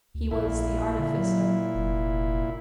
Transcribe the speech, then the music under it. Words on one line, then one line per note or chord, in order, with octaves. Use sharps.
He was the artificer.
D2
A#1 A#2 E4
D3
F#3
F1